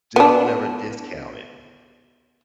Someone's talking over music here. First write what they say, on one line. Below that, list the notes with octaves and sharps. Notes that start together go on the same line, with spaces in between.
Don't ever discount it.
B3 D4